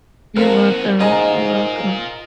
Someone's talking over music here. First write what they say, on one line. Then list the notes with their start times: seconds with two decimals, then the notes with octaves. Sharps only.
You're welcome. You're welcome.
0.37 G#2 F3 A#3 C4 F#4 A#4
1.00 G#2 F4 A#4 D#5 F#5 G#5 A#5